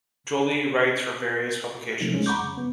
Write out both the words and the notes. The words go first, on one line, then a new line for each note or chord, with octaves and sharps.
Joly writes for various publications.
C3 F3 A3 A#3 C4 D#4
C2 G#3 C#4
F#5 A#5 B5 C#6 D6 G6
F#2 C#3
B3